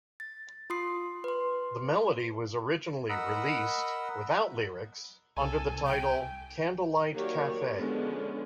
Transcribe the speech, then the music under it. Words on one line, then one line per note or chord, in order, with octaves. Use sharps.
The melody was originally released without lyrics under the title "Candlelight Cafe".
A6
F4 C6 D#6 C7
B4 C6
A#4 D#5 F#5 B5 E6
C2 A4 G#5
G5 G6
D#3 F#3 A#3 G4 C#5 D5
D3 F3 G#3 B3 C#4